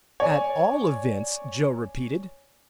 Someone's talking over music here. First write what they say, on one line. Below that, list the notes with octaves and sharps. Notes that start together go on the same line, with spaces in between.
"At all events!" Joe repeated.
C#5 D5 G#5